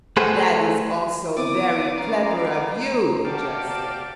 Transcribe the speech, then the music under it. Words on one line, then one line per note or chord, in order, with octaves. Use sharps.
"That is also very clever of you," the judge said.
A3 G4 G#4 B4 C5 F#5
B3 C4 E4 D5 D6 D#6
C#4 E4 F5 A#5
F#4 G4 D5 F5 A5